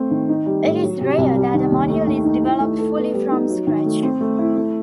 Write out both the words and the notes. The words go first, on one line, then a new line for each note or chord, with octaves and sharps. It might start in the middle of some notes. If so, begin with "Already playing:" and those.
It is rare that a module is developed fully from scratch.
Already playing: A3 C4
D#3
D#4
G3
A2
F#3
C3
C2
G3
D#3
D#2
A3
D#3
D#4
E4
A3
A4
B3
G3
D#4
F#3
D#3
A3
C4
A3
E4
A3